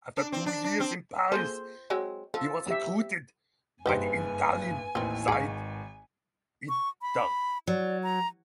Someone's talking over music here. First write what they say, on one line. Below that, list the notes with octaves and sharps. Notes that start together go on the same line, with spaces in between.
After two years in Paris he was recruited by the Italian side Inter.
D4
C4
D4
D4
C4
A#3 G#4 A4 C5
F#3 G#3 C4
F3 A4
G4 E5
F#1 G2 D#4 G4 B4 C5 G#5
A1 D#2 A2 C4 A#4
G#1 D#4 G#4 F5 C#6
C#6
B5
F#3 D5
A#5